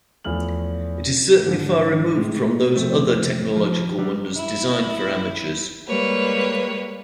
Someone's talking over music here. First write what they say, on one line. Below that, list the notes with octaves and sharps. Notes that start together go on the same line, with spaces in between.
It is certainly far removed from those other technological wonders designed for amateurs.
E2 F3 A3 F6 F#7
G#2 D3 F3
A2 G#3
F2 A2 C3 A3 C4
F3
F#3 G3
E4
G3 G#3 A#3 B4 C#5